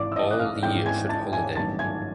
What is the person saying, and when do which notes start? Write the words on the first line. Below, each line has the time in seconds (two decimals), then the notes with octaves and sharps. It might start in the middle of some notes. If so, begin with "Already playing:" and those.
All year should holiday.
Already playing: G#1 G#2 E3 D5 D6
0.12 E6
0.16 D#5 D#6
0.31 F#6
0.39 F5 F6
0.63 G#1 G#2 E3 G5 G6
0.86 G#5 G#6
1.09 A5 A6
1.33 G#5 G#6
1.55 A1 G2 D#3 F#3 A5 A6
1.79 G#5 G#6